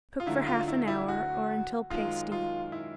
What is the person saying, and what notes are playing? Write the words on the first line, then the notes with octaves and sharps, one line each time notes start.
Cook for half an hour or until pasty.
F4
D2 D3 F#3 A3 E4
F4
E4
E4
F#4
F#2 D#3 G#3 F4
F4
E4